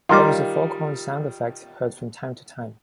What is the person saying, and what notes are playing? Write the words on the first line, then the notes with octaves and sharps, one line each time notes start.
There was a foghorn sound effect heard from time to time.
D#3 G3 F4 A#4 F5 D6